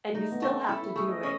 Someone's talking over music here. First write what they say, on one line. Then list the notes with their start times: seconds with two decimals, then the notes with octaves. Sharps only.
and you still have to do it,
0.14 A3 D#4
0.32 B3
0.42 A3
0.51 C#4
0.69 E4 A4
0.83 E4
0.96 A3 G#4
1.09 D#5
1.23 C#4 D#5